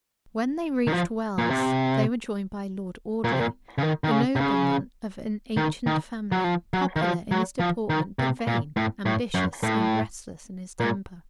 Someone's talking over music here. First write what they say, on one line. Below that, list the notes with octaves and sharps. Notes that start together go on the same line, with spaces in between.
When they reached Wells, they were joined by Lord Audley, a nobleman of an ancient family, popular in his deportment, but vain, ambitious and restless in his temper.
D#3
F3
A#2
C3
A#2
C3
A#2
C#3
D#3
D#3
C#3
C3
C#3
D#3
D#3
F#3
F3
F#3
D#3
F3
F#3
F3
D#3
C3
A#2
A2
A2
F#2
A2
A#2